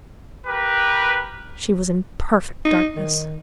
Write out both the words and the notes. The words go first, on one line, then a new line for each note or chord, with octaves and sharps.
She was in perfect darkness.
G4 A#4 B4
D#4
D#3